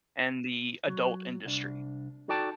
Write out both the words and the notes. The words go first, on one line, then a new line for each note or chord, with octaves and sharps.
and the adult industry,
F#3
C2 D4
D#4 F#4 A4 D5 G5 A5